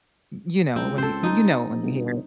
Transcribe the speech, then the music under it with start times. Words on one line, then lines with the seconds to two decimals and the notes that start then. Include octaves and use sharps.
You know, when you well, you know it when you hear it.
0.76 C#2 C4
0.98 A4 C5
1.23 D#4
1.83 G1